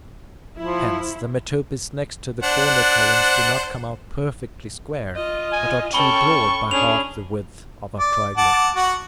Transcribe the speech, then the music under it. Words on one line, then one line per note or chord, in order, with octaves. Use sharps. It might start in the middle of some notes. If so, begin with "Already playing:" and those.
Hence the metopes next to the corner columns do not come out perfectly square, but are too broad by half the width of a triglyph.
F3 E4
D4 C5 F#5
F4 D#5
G#5
C#4 A4 G5 B5 C#6 G7
C#4 D4 G#4 F7
D5 D6
F#5 A5 D6
F#4 F#5